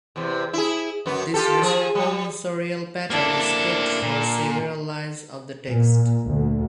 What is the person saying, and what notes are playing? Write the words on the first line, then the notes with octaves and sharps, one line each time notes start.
This responsorial pattern is kept for several lines of the text.
E2 C3
E4 G#4
F#2 B3
F4 G4 A4
F3 G#4
G3
A#3 D4 E4 A4
A#2
A#2
D2